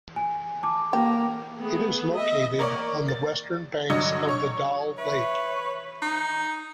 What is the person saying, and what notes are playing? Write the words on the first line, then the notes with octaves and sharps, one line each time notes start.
It is located on the western banks of the Dal Lake.
G#5
A5 D6
A#3 G4
A3 B3 G#4
D#5 E5
A#3 A#4 C#5 D5
A6
G2 D3 F#3 D#5
C#5 C#6
B4 C#5 E5
D#4